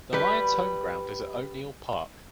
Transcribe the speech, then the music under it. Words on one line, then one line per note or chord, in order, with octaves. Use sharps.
The Lions' home-ground is at O'Neill Park.
G3 B4